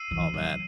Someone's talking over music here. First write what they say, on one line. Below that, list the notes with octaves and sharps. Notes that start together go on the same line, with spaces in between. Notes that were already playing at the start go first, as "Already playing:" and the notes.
Oh, man.
Already playing: E6 C7 D#7 F#7
E3
F#3